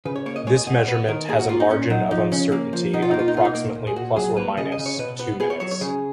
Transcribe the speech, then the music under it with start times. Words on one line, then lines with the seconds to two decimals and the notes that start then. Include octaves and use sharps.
This measurement has a margin of uncertainty of approximately plus or minus two minutes.
0.05 C#3 B4
0.16 C#5
0.26 A#3 C#5
0.36 D#5
0.47 G#3 C#5
0.57 D#5
0.67 B2 D#5
0.78 C#5
0.87 B3 B4
1.08 D#3 A#4
1.29 A#3 G#4
1.39 F#4
1.49 A#3 F4
1.60 D#4
1.70 A#2 C#4
1.90 F#3 D#4
2.11 F3 D#4
2.32 C#3 C#4
2.52 A#3
2.73 F3
2.93 B2 D#4
3.02 F4
3.11 A#3 D#4
3.19 F4
3.28 D#4
3.34 B2 F4
3.45 D#4
3.55 A#3
3.75 A#2
3.87 G#4
3.96 A#2 F#4
4.16 F#3 G#4
4.37 A#3 B4
4.57 C#3 D#5
4.72 D#5
4.79 C#3
4.86 C#5
4.99 B2 B4
5.19 B3 B4
5.40 B3 G#4
5.50 C#5
5.60 F#3 C#5
5.71 C#5
5.81 C#3 G#4